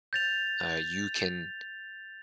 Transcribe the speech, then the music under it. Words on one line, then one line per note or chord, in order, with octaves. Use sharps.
uh, you can,
G6 A6 F7